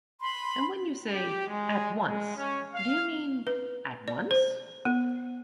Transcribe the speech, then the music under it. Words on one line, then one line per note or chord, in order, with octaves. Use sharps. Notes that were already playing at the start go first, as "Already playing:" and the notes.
And when you say "At once" do you mean "At once"?
B5 C6
G4
G#3
G#3
C#4
F5
B4
D5
C5
B3